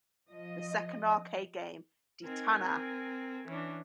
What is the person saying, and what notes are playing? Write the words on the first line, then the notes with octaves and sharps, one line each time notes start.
The second arcade game, Detana!!
F3 D#5
C4 D#4 A#4 G#5
C4
E3 C#4 D4